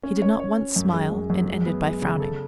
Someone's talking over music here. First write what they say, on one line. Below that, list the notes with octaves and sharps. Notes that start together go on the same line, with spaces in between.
He did not once smile, and ended by frowning.
C#4
C#5
C#5
C#4
F#2
G#3
F#2
F#2
G#3
B3
G#3
C#3
A4